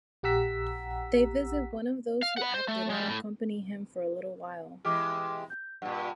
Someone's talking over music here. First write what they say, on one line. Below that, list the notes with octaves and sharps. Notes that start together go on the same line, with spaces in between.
They visit one of those who acted, and accompany him for a little while.
A#1 G4 F#5 A#5 E6 B6
F5
F#5 B5
C5
A3
G3 G#3
A2
E3 G#3 G4 D6 F6
G6
G2 A#2 F#5